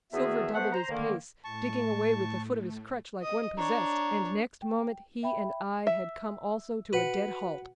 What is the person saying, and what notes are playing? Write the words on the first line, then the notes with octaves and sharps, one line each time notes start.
Silver doubled his pace, digging away with the foot of his crutch like one possessed; and next moment he and I had come also to a dead halt.
E2 D#3 B3 F#4 G#4 E5
A3 B3 B4 C5 F#5
C5 A#5
D3 D#3 A#3
A2 A3 A5 C#6
D#5 D#6
D4 C#5 A#5
G5
E5 G5 B5
E5 E6
F#4 B4 F#5 C#7